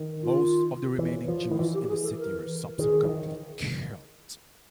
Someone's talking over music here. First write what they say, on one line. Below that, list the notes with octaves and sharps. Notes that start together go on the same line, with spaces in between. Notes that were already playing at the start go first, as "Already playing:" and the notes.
Most of the remaining Jews in the city were subsequently killed.
Already playing: D#3
F4
E3
F3
D#3 E4
E3 F4
G4
G4
G#4
A4
A#4
D#3 G#4
E3
D#3